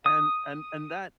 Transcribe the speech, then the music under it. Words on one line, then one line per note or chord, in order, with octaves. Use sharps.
and and and that
D#6